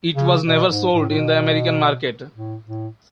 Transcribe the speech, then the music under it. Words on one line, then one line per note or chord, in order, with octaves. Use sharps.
It was never sold in the American market.
C#3
B2
G#2
A2
A2
B2
A2
A2